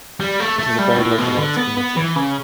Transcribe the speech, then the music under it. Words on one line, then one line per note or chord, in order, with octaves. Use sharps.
It is a very localised community.
G3
A3
A3
G3
B2
A2
B2
D3
B3
B3
E3
C#3